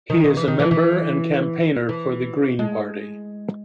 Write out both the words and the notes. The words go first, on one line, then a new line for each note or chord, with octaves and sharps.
He is a member and campaigner for The Green Party.
D#3
D#3
E3
D#3
E3
E3
E3
G#3